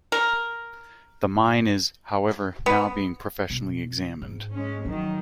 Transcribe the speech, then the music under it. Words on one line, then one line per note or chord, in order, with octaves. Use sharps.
The mine is, however, now being professionally examined.
A#4
B3
B2
G#2
G#3 C#4
D#3 F3 F#3